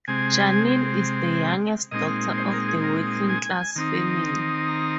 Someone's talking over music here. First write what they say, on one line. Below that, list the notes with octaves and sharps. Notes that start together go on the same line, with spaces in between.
Janine is the youngest daughter of a working-class family.
C3 G#3 C4 G#5
A#2 G#3 C4 D#4 D#5
C5
A#4
G#4
A#4
G#5
D#3 C4 D#4
A#5